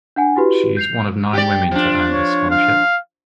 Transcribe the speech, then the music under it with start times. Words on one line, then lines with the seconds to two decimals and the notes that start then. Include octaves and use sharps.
She is one of nine women to earn this scholarship.
0.16 D4 F#5 G#5
0.36 E4 F#4 G4 B4
0.77 G6 C7 F7
1.33 G4 D5
1.71 F3 D4
2.12 C#5
2.51 F5